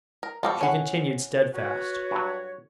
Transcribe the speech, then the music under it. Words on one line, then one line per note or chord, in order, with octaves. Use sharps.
She continued steadfast.
A#4
F2 G3 F4 F#4 A4
A2 C#4 F#5 G#5
F#4 B4 C#5
G2 F#3